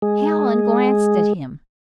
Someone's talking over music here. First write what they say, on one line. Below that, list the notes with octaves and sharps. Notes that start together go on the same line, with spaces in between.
Hallen glanced at him.
G#3 G#4